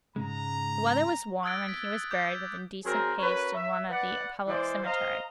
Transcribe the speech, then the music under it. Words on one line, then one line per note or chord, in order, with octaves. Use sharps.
The weather was warm, and he was buried with indecent haste in one of the public cemeteries.
G#2 C#3 G#3 A#5
D#6 E6 F#6 G#6 A6 D7
B6
D6 G6
F#3 C4 G#4 A#4
C#4 F#4 A#4 B4
E5
B4 D5 F#5
E3 G#3 C5 D5
C5 D#5 F5 A#5